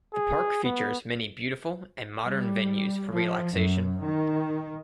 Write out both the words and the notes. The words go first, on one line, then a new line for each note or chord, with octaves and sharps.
The Park features many beautiful and modern venues for relaxation.
G#4
B3
G3
F3
F#2
D#3